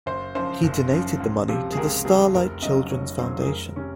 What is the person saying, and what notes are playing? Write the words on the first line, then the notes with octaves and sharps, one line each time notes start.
He donated the money to the Starlight Children's Foundation.
F#1 C5
F#2 F3 C5
F#1
F#2 F3
C#2
C3 F3
G#4
C#2 A#4
C3 F3 G#4
F1 A#4
F2 C#3 F#3 D#5
F1 C#5
F2 C#3 F#3 C5
G#4
F1 A#4
C3 C#4